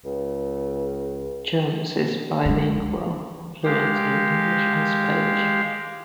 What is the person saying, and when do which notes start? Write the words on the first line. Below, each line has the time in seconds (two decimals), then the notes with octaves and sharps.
Jones is bilingual, fluent in English and Spanish.
0.05 C#2
2.46 F3 G#3
3.64 G#3 G4 F5